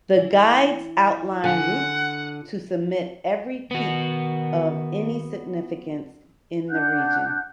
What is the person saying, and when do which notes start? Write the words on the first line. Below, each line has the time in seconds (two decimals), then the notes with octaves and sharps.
The guides outline routes to summit every peak of any significance in the region.
0.16 E3
1.44 D3 F4 F#5 G#5
3.71 D#3 B3 F#4
6.70 D4 F#5 F#6 G6